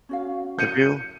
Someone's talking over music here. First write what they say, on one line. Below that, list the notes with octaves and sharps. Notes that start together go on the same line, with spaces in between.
Have you
C#4 F#4 F5
G6 C#7 D#7